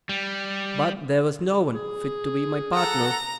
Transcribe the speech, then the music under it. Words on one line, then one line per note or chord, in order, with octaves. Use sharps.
But there was no one fit to be my partner.
G3
G#4
A4 F#5 A#5